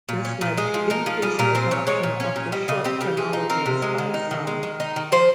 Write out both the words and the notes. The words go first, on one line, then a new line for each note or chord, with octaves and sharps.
This led to increased adoption of the short chronologies by some.
A#2
C#4
A#2
G#3 G#4
F3
D#4 A#4
F3
G3 G#4
A#2 A#4
C4 C5
A#2 C#5
G#3 C#5
A#2
C#4
A#2
G3 D#5
C#3 D#5
C4 G4
C#3 G4
F3 G#4
D#4
C4 A#4
C3
G#3
D#3
D#4
D#3
G#3
D#3
D#4
D#3
F3 C5